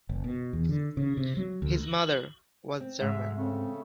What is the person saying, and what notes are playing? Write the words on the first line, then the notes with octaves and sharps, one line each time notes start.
His mother was German.
F#1
B2
E2
D3
C#3
C3
F#3
D2
C4
D2 G#2 G#3 E5
C#3 A3 C4